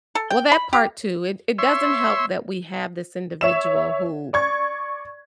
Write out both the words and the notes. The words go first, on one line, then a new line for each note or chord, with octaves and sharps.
Well, that part too, it it doesn't help that we have this individual who
A4
G5
B5
G4
C#5 E5 C6 E6
C#5 E5 E7
D5 C#6 G#6